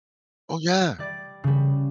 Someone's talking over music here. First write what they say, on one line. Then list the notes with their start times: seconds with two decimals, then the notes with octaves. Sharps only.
Oh yeah.
0.98 G3 D5
1.44 C#3 G3